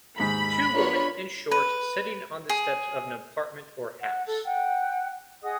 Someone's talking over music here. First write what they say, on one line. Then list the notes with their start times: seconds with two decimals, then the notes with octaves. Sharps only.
Two women in shorts sitting on the steps of an apartment or house.
0.19 D#2 G#2 G#3 B5
0.75 B3 D4 F4 A#4 C#5
1.51 B4
2.49 G#4
4.00 F#5
4.27 A4
4.45 F#5 G5
5.42 G#4 D#5 F#5 D#6